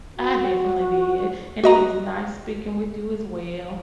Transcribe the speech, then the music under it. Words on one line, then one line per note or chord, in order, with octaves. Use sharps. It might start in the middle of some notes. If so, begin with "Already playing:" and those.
I definitely did, and it was nice speaking with you as well.
F#4
F#4 D#5 A#5